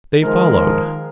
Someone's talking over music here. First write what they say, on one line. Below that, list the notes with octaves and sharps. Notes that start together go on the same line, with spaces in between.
They followed.
D#3 F3 G#3 A#4